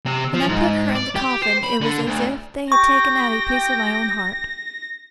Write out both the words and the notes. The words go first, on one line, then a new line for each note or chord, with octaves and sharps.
When I put her in the coffin it was as if they had taken out a piece of my own heart.
C3
F3
G#2
D5
G4
C5
B5
D3
D2
G4 G5 C#6 A#6